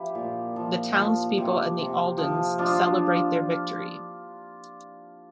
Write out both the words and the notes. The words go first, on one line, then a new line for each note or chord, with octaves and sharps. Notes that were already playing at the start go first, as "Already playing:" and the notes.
The townspeople and the Aldens celebrate their victory.
Already playing: F3 E4 G4
A#2
F3
F3
C3
C3
F3
F3 D4 F4